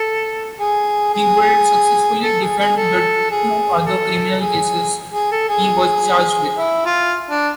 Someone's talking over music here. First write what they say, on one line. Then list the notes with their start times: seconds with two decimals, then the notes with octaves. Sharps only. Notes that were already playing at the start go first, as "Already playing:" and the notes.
He would successfully defend the two other criminal cases he was charged with.
Already playing: A4
0.59 G#4
1.13 G#4
2.22 A4
2.40 G#4
2.59 G#4
2.76 A4
3.31 G#4
3.86 A4
4.40 G#4
5.12 G#4
5.31 A4
5.49 G#4
6.57 E4
6.85 F4
7.30 D4